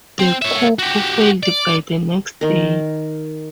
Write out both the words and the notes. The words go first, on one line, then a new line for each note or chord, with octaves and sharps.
The coup failed by the next day.
C4
C#5 E5
F#4 G4
D5
D#3 A#4